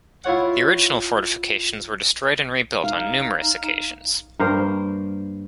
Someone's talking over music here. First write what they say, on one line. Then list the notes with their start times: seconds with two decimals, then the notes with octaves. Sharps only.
The original fortifications were destroyed and rebuilt on numerous occasions.
0.24 E4 F4 C#5 F#5
2.84 D#4 F5
4.39 G2 A#3 A#4 C5